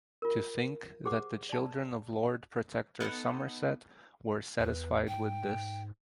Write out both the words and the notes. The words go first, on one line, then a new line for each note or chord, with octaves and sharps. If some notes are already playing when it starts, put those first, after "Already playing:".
To think that the children of Lord Protector Somerset were satisfied with this!
F4 A#4
G4 G#4 C5 F#5 D6
D5 A5
B3 D#4 A4 F#5
E2 B4
G#2 G5